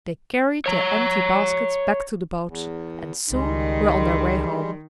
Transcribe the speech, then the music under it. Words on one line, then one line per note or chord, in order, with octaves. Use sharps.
They carried their empty baskets back to the boat, and soon were on their way home.
C#5 A#5
E2
C#2 D#3 G3 G#3